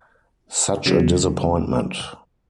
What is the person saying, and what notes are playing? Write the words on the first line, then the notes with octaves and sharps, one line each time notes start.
Such a disappointment!
C#3 F#3